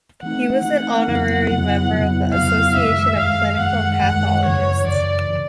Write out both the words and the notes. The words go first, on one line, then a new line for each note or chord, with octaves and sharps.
He was an honorary member of the Association of Clinical Pathologists.
E3 A3 C4 D#4 F#5
E3 A3 C4 D#4 F#5
F2 C#3 F#3 B3 E4 F#5
F2 C#3 F#3 B3 E4
F2 C#3 F#3 B3 E4
F2 C#3 F#3 B3 E4 F5
F#2 D#3 G#3 E5
F#2 D#3 G#3 F5
F#2 D#3 G#3 F#5
F#2 D#3 G#3 F#5
F#2 C#3 E3 C#5
F#2 C#3 E3 D5
C#3